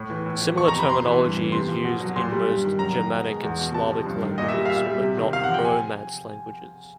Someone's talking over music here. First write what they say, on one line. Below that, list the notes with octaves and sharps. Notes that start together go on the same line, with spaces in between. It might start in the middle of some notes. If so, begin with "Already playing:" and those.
Similar terminology is used in most Germanic and Slavic languages, but not Romance languages.
Already playing: A2
E3
A2
E3
F2 C#6
A#5
C3
B5
C3 C6
E3
G2
E3
C3 C6
F3
B2
F#3
A#2 C6
G3
G2
D#3
F#2 A#5
D#3
B2
G#3
E2
B2
C3 A5
F3
G2
D#3
A#2 D#5
E5
G3
F5
A#2 E5
G3
C3
D#3
C3 F5
F#5
F3
G5
G#5